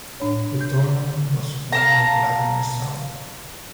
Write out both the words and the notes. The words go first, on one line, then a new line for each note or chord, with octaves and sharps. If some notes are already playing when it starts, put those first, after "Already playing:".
The tournament was won by Vladimir Savon.
A2 D4 C#5
G6
F5 A5 A#5